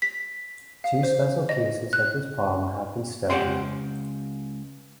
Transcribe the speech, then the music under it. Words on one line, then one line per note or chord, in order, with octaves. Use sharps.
Two special cases of this problem have been studied.
B6
F5
C5
D#5
F#6
C#2 G#3 G4 F#5 G5 C6